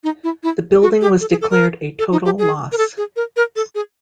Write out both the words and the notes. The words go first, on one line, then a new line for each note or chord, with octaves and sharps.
The building was declared a total loss.
D#4
E4
E4
F#4
G4
A4
G#4
A4
A#4
A4
D#4
G4
G#4
A#4
A4
G#4
A#4
A#4
A4
G#4